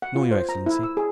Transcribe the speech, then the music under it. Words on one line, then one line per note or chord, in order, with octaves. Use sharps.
"No, your excellency."
F#5
F4
C5
A#5
E4
E6
G#4